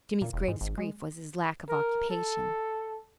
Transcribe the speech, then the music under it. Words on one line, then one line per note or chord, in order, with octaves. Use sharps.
Jimmy's greatest grief was his lack of occupation.
A#2
E1
G#2
G#1
G#3
A#4
A4